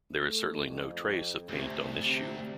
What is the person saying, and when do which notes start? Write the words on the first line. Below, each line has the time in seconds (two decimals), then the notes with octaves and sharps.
There is certainly no trace of paint on this shoe.
0.16 A3
0.63 F2
1.49 D2 C3
2.06 C3